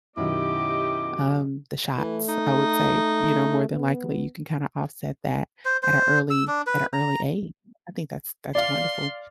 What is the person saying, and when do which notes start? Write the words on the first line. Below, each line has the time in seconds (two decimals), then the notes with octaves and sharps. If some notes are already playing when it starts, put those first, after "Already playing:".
um, the shots, I would say. You know, more than likely, you can kinda offset that at a early at a early age. I think that's that's wonderful.
0.17 F#2 B2 D#3 E4 G4 D#5 D6
1.97 E3 A3
2.29 D#4
3.70 B3
5.65 C5
5.83 C5
6.30 E6
6.47 D4
6.67 B4
6.93 A#5
8.55 D5 F5 C6